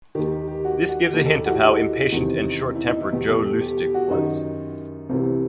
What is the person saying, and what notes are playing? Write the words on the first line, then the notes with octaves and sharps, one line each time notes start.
This gives a hint of how impatient and short-tempered Jo Lustig was.
D#2 D#3 G4
G4
G4
F#4
F#4
G4
D#2 D#3 G4
A4
G4
F#4
E4
D#4
E2 C3 D#3
E4
D#4
E4
E2 B2 G4
A4
G4
G4
G4
F#4
F#2 D#3 D#4
C2 C3 E3 C4
B3